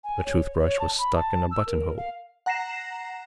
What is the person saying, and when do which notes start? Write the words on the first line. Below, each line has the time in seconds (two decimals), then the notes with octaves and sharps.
A toothbrush was stuck in a buttonhole.
0.04 G#5
0.25 C#5
0.59 C#5
0.79 A5
0.98 B5
1.15 A5
1.51 E6
1.67 A#4
1.97 F5
2.46 F#5 A#5 A#6 C7 E7